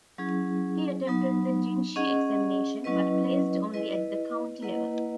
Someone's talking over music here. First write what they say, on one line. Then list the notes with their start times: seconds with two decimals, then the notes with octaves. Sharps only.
He attempted the Jinshi examination, but placed only at the county level.
0.18 F#3 C#4 E4 G#4
1.07 F#3 B3 D#4
1.96 C#4 G#4 D#5 F#5
2.84 F#3 C#4 E4 B4 D#5
3.74 E4 B4 D#5
4.62 A#3 E4 B4 D#5 F#5